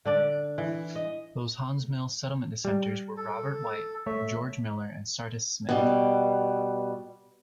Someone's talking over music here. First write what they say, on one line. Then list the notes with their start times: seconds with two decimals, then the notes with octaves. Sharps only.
Those Haun's Mill settlement dissenters were Robert White, George Miller, and Sardis Smith.
0.05 D3 D4 D5
0.58 E3
0.96 D#5
2.65 G3
3.17 A4
4.06 A3 C#5 E5
5.69 B2 G3